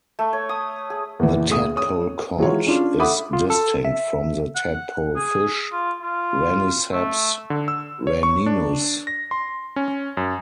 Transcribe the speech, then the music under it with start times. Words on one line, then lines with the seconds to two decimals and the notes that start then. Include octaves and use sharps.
The tadpole cod is distinct from the tadpole fish, "Raniceps raninus".
0.19 A3
0.33 C#5
0.49 D#6
0.90 G#4
1.19 E2 A#2 E3
1.49 D2 G#4 D#6
1.76 C#5 D#6
2.38 E3 F#3 G#3 F4 C#5
2.66 C#4 D4 F4
2.99 A4 E5 F#5 B5 D6 D#6
3.33 F4
3.50 A4
3.85 E5
4.56 F#5
5.16 G#4
5.72 F4
6.02 F4
6.93 A3
7.50 D3
7.68 E6
8.07 C#5
8.23 C#6
8.46 D4
9.07 A#6
9.31 C6
9.76 C#4
10.17 F#2